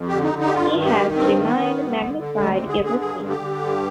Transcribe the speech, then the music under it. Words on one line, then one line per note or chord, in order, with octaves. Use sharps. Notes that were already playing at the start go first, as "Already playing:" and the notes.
He has remained magnified ever since.
Already playing: F2
D3 G4
D#4
D3
D#4
G4
G2 F4
D#3
G4
D#3
G2 C4
D#3
B3
D#3
G2
D3
D3
D2 G#3
C4
D3
G#4
D3 G#4
G2 G#4
D3
G4
D3
G2